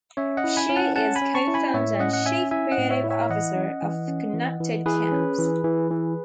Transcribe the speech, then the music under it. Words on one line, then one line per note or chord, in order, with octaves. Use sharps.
She is co-founder and Chief Creative Officer of Connected Camps.
C#4 C#5 E5
D#5 F#5
E4
G#5 B5
C#4
F#5 A5
C#4 F#5 A5
G#5 B5
C#4
A5 C#6
E4
G#5 B5
A2 C#5 E5
C#4 D#5 F#5
F#5
C#4 E5 G#5
E4 E5 G#5
D#5 F#5
A2
C#5 E5
E4
C#5 E5
E3 D#5 F#5
C#4
E3
C#4
E3
E3
E3 G#4 B4
C#4
E3
E3
E3